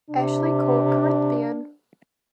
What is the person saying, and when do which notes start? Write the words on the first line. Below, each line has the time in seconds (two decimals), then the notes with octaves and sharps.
Ashley called Corinthian.
0.10 C3 D4